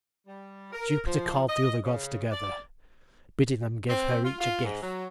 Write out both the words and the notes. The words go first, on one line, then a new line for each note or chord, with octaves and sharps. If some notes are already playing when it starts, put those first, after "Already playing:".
Jupiter called the other gods together, bidding them give her each a gift.
G3
A#4
F3
D#5
C#3
D5
C4
F4
F4
G#2
F#3